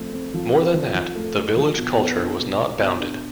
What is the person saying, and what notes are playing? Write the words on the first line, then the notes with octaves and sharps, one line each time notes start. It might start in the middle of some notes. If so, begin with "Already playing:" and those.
More than that, the village culture was not bounded.
Already playing: F3 A3 C4
C4
F3
C4
F3
F3
A3
A3
F3
B2
B3
D4
B2
B3
B2
D4